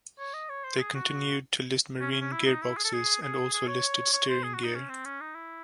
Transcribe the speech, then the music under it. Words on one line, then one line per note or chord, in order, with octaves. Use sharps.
They continued to list marine gearboxes and also listed steering gear.
C#5
D#5
C#5
C5
G#4
F#4
C#4
C#4
C#4
E4
D#4
E4
G#4
A4
G#4
G#4
G#4
C#5
C#5
C5
G#4
F#4
D#4
C#4
C4
C#4
D#4
E4